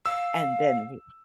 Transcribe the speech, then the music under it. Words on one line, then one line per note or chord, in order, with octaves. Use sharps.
and then, w
F5 E6